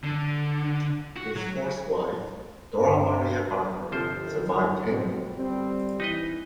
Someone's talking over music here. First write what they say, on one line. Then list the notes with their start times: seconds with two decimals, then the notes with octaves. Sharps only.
His fourth wife, Dora Maria Barker, survived him.
0.04 D3
1.16 F#4
1.36 F#3
2.72 G2
3.92 G1 C3 F3 C5
4.26 D#3
4.89 B2 C4
5.37 G3 C4
6.00 E3 D#4 B4 D#5